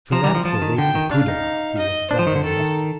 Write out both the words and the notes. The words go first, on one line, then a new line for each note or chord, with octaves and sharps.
For that we'll wait for Kudeyarov who was brought here yesterday.
F3 A#5
G3
F3
F3 A5
D#3
D3 G5
D#3
D4 F5
D#4
D#5
D4 C5
F3
D#3
D3
D#3 A4